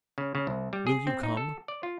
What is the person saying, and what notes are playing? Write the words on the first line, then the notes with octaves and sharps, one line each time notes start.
Will you come?
C#3
C#3
C2
G3
G#4
C4
D#4
A4
D5
F4